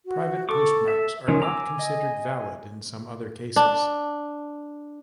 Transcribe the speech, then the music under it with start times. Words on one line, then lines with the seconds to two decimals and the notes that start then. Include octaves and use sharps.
Private postmarks are not considered valid in some other cases.
0.06 F#4
0.49 A4 C#6 D6
0.88 E5
1.28 D#3 F3 C#4 G#5
1.42 A#5 D6 E6
1.79 D#5
3.56 D4